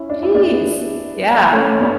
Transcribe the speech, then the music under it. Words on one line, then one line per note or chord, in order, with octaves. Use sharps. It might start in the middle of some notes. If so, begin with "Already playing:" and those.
Jeez, yeah.
Already playing: C#4 E4
D4
E4
B3 D4
A3 C#4
B3 D4